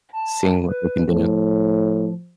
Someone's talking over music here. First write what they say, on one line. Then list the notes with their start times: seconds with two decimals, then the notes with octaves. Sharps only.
seeing what we can do.
0.13 A5
0.69 B4
1.10 A2 F3